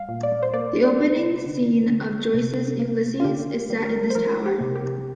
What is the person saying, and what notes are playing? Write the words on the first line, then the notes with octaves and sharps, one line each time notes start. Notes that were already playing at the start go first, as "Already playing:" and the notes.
The opening scene of Joyce's "Ulysses" is set in this tower.
Already playing: G3 F5
A#2
D5
C5
A#3 D5
D5
C3
D3
D3
C3
A#3
F4
D3 G4
G3
A#4
C5
F3 A#4
G4
C3
G4